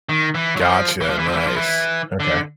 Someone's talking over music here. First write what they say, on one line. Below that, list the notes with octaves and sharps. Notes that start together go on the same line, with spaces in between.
Gotcha, nice, okay.
D#3
E3
F#3
F3
E3
F3
E3
F3
E3
F3
E3
D3